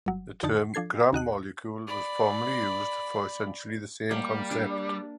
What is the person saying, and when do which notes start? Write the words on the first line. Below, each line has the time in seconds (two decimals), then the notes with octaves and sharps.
The term "gram-molecule" was formerly used for essentially the same concept.
0.06 G1 F#3
0.43 F2 D3 D#4 A5
0.74 F3 D4 A4 G#6 C7
1.13 D#2 F#4 D#5 F#6
1.87 D5 B5
4.11 G3 A#3
4.51 D4